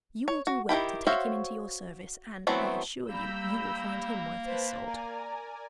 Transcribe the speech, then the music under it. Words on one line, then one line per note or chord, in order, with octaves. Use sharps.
You will do well to take him into your service, and, I assure you, you will find him worth his salt.'
C#5
F#4
D#3 E4 G4 B5
F#4 C5 C#5 E5 F5
E3 F#3 A3 B3 C4
G3 A#3 A#5 B5 E6 G6
B4 C5 A5 B5
A#4 D5 G#5 A#5